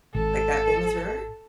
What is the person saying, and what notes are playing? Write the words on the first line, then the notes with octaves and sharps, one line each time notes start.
like that famous river?
G#1 A4